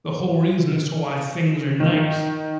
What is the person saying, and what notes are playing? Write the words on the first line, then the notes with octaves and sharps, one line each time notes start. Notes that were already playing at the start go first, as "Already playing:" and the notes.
the whole reason as to why things are nice.
D#3